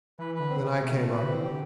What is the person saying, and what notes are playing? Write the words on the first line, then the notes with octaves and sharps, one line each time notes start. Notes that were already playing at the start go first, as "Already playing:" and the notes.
Then I came up.
E3 B4
B4
D3
C4
C3 C4
B2 A3
C3 A3
B4
D3
C4
E3
D3 G4